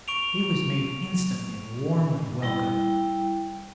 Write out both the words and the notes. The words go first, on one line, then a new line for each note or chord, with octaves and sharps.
He was made instantly and warmly welcome.
C#6 D7 F7
G3 E4 G5